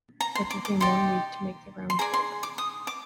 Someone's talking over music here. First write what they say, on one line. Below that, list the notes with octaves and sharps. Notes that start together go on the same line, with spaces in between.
It took him one week to make the round trip.
A#5
C6
D6
D6
D#4 G4 D5 C6
C6
G#4 D5 A#5
C6
D6
D#6
D6